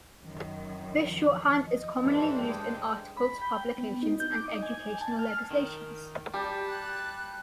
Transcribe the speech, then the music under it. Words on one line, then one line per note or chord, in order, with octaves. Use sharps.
This shorthand is commonly used in articles, publications and educational legislations.
F#2 D#3
F2 F3
D#5
G2 E3 D4 A4 B4 C5
G#3 G5
B5
G5
B3
D#4
G6
D6
D#5
G#5
A5
F6
D#3
G3 G4 A5
F#6